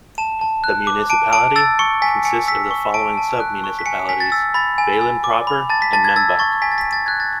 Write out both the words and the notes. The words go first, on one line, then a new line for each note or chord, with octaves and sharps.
The municipality consists of the following sub-municipalities: Baelen proper and Membach.
A5 E7
A5
F#6
D6
A5 D7
A5 D7
E6 A6
C#6 C#7
G#5 B6
G#5 C#7
E6 B6
C#6
A5 D7
A5
F#6
C#6
B6
G#5 C#7
G#5 B6
A6
E6 A6
B5 A6
G#5
G#5
D6
B5
A5 A6
B6
A5 A6
G#6
E6 A6
C#6 A6
G#5 B6
A6
B6
G#5
A6
F#6 G#6
A6